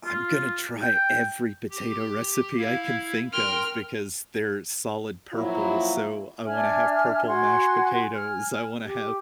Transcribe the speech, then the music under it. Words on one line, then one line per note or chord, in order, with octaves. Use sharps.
I'm gonna try every potato recipe I can think of, because they're solid purple. So, I wanna have purple mashed potatoes, I wanna have
F4
G5
G4
E4 F5
A#4 G5 C6 F6
A#2 F3 F#3 E4
D4 E5 G#5 F6
F#4 F#5 G#5 C6
G#5 F6
G4